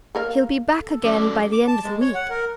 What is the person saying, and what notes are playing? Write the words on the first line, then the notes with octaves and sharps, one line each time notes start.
He'll be back again by the end of the week.
A#3 A#4 F5
A4
F#3 C#4 D5 D6
D6
A5
G#3
C#5
F#5
A#4